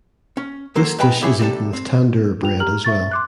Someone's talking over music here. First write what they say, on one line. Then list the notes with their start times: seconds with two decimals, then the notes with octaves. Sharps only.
This dish is eaten with Tandoor bread as well.
0.37 C#4
0.75 F#3 A#3 A4 A#4 C5
0.99 G#2 B4 D#5 G5 A#5 B5
1.21 B3 E4 G4 G#4 B4 C#5
1.39 C3 G3 D4 A4
1.73 C4
2.41 D4 F4 G5 F7
2.60 G4 A#5 F6 F#7
2.85 E5 C#6 A6
3.11 C6 D6 F#6